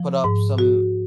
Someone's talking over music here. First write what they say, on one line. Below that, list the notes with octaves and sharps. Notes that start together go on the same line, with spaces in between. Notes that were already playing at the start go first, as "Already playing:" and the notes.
put up some
Already playing: F3
G#2
F#4